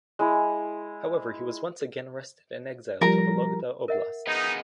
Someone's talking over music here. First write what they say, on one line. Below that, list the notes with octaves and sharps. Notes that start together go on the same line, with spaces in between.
However he was once again arrested and exiled to Vologda Oblast.
G#3 E4
F3 G3 A#4 A#5
A#4 E5 F#5
G#3 B3 D#4